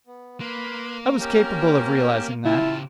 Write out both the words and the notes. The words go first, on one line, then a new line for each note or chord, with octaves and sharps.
I was capable of realising that.
B3
A#3 B4 B5 C6
C#4 G4 A#4
C#3 E4 F4 G4 A5